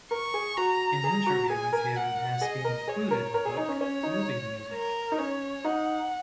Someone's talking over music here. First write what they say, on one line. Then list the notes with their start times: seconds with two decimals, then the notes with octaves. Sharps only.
An interview with him has been included in the book "Moving Music".
0.11 A#4 C#6
0.34 G#4
0.57 F#4 A#5
1.04 G#4
1.27 F#4
1.49 G#4 G#5
1.73 A#4
1.96 F#5
2.41 G#4 D#5
2.64 A#4
2.88 G#4 C#5
3.11 A#4
3.34 A#4
3.45 G#4
3.57 D#4
3.69 C#4
3.81 C#4 C#5
4.03 D#4
4.72 A#4
5.12 D#4
5.18 C#4 C#5
5.64 D#4 F#5